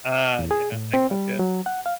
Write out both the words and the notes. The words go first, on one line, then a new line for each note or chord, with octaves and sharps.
Ah, yeah, I gotcha.
E2
G#4
A2
C4
G3
F#3
F#5
F5